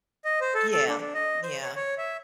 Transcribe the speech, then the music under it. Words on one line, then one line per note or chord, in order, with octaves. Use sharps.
Yeah, yeah.
D#5
C5
A4
A4
D4
D4
D#5
C5
C#5
C#5
E5